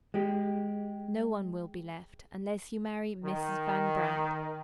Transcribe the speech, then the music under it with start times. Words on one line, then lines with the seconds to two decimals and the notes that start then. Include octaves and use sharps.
No one will be left, unless you marry Mrs. Van Brandt.
0.14 G#3 G4
3.24 D#3